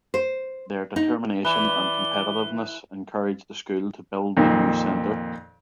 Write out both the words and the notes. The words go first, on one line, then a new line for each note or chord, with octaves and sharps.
Their determination and competitiveness encouraged the school to build the new center.
C5
D#4
E3 B4 D5 G7
F2 A#2 D#3